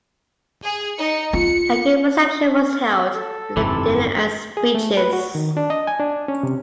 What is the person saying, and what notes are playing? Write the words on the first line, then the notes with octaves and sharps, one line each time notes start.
A great reception was held with a dinner and speeches.
G#4
D#4 C#7
F4 C#7
A4
G1 F2 G#2 C3 E3
G#4
A3
B4
F#4
D#3
D4
D#5
G#5
D4
C#4
C3